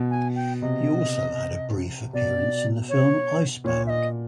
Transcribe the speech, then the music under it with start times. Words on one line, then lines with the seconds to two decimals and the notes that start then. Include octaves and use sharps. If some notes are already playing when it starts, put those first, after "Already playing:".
He also had a brief appearance in the film "Ice Bound".
Already playing: B2
0.10 G#5
0.36 G5
0.62 C3 D#5
2.13 B2 D5
2.89 C#5
3.64 A#2 C#5
3.86 E5
3.90 D#5